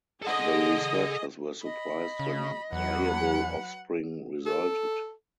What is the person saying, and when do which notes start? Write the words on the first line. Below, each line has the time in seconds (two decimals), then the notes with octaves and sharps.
The researchers were surprised when viable offspring resulted.
0.22 G#4 A4 D#5 F#5
1.64 D#5 B5
2.19 C#3
2.73 E2 F#3 B4 F#5
4.46 A4